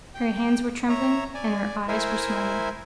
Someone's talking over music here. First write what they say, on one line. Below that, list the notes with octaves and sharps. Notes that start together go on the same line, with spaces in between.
Her hands were trembling and her eyes were smarting.
G5
C#5 E5 A#5
D5 G#5
E4 A#4 C5 E5 G#5